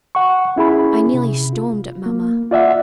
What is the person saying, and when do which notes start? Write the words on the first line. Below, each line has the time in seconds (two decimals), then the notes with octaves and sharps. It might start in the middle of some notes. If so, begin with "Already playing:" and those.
I nearly stormed at Mamma.
0.15 F#5 C#6
0.56 C#4 E4 G#4 B5
1.14 C3
1.53 F4
2.06 A#3
2.51 F4 D5 E5 F#5